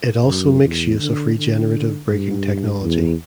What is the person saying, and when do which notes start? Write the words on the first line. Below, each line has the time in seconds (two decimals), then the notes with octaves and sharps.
It also makes use of regenerative braking technology.
0.26 F#2
0.62 E2
0.99 D3
1.36 D3
2.08 G2
2.82 E2